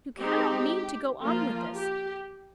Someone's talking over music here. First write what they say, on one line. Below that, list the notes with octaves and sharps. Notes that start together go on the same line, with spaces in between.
You cannot mean to go on with this.
G#3 C4 D#4 G4
F3 A#3 F4
G4